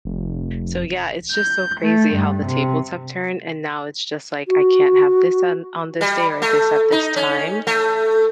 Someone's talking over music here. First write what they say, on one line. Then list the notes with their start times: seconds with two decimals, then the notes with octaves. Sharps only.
So, yeah, it's just so crazy how the tables have turned and now it's just, like, I can't have this on on this day or this at this time.
0.05 F1
1.30 G6
1.80 A3
2.13 G2
2.45 C3
4.48 F#4
6.01 G3
6.42 A3
6.92 D#4
7.16 C#4
7.67 A3